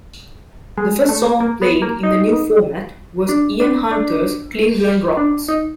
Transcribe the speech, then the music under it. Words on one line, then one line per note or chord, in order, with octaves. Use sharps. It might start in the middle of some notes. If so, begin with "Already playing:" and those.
The first song played in the new format was Ian Hunter's "Cleveland Rocks".
G#3
A3
A#3
B3
A#3
D#4
D4
D4
D4
D4
D#4